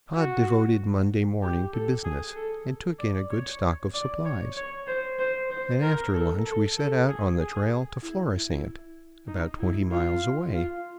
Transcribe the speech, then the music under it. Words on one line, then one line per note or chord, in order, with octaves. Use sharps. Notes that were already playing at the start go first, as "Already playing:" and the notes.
Pod devoted Monday morning to business, and took in a good stock of supplies, and after lunch we set out on the trail to Florisant, about twenty miles away.
F#4
G4
A4
G#4
A4
D5
C#5
D5
C#5
C#5
C5
C5
C5
A#4
A4
A4
A4
G#4
G#4
E4
E4
D#4
E4
F4
F4